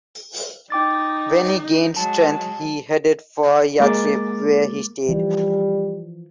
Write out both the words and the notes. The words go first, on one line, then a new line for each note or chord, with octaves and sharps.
When he gained strength, he headed for Yathrib, where he stayed.
D#4 G5 D6 A6
F#3 G#3 A5
G#3 A#3 D6 A6
E3 F3 G3